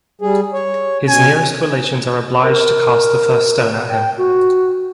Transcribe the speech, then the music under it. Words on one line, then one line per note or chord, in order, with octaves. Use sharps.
His nearest relations are obliged to cast the first stone at him.
G3 G#4
C#5
B2 C#4 G#5
A#4
G5
F#4